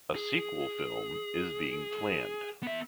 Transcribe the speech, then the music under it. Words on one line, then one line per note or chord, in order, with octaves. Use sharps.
A sequel film is being planned.
G#4
B3 E5